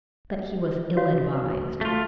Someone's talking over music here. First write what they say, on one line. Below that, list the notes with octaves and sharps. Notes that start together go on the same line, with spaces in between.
But he was ill-advised.
F#4 C#5 F5
A3 F4